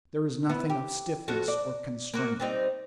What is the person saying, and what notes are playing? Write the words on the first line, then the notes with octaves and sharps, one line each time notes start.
There is nothing of stiffness or constraint.
B3 E4
G4
F2 F#4 A4
D5
A#3 F#4
G3 C4 D#4